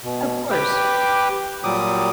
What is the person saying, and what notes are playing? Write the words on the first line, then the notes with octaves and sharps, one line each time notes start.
Of course.
B2
G4 B4 G5 D6
A#2 F#3 G3 D6 D#6